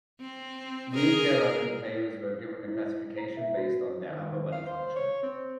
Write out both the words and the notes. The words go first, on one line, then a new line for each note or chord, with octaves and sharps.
Wheelchair rugby players were given a classification based on their upper body function.
C4
G#4 A#4
E4
A#5
E5
F#4
D#3
F5
C5
C#5
C4